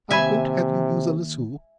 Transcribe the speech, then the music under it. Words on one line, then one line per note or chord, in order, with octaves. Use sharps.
I won’t have you use a lasso.
D#2 C3 E5 G#5 B5